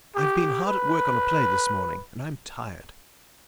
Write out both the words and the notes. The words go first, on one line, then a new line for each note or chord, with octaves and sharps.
"I've been hard at work on a play this morning, and I'm tired."
G4
B4